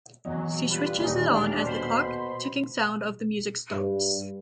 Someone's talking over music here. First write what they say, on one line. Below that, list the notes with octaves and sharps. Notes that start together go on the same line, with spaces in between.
She switches it on as the clock ticking sound of the music starts.
E2 F#3 D#5
G3 F4 B4
D#1 E3 D#4
D4 F6
B2 C5 B5 C6
G2